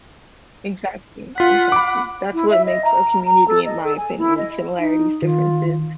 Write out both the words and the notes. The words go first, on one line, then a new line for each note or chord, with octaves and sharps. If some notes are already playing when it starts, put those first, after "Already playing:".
Exactly, exactly, that's what makes a community in my opinion, similarities, differences,
F4 F#5 B6
B5 D6
E4
E5
D#5
A#5
A#5
A4
D#5
A4
G#5
E4
D#5
D#4
D#3 F4